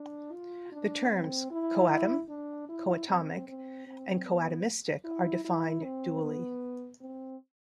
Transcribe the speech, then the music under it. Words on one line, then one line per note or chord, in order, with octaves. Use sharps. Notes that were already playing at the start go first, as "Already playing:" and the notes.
The terms "coatom", "coatomic", and "coatomistic" are defined dually.
Already playing: D4
F4
D4
C4
E4
D4
E4
C4
C4
C4
B3
E4
E4
C4
B3
C4